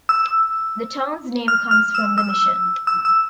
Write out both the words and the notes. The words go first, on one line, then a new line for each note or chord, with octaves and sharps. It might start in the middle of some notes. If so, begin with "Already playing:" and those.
The town's name comes from the mission.
E6
F6
F6
E6
E6
E6
E6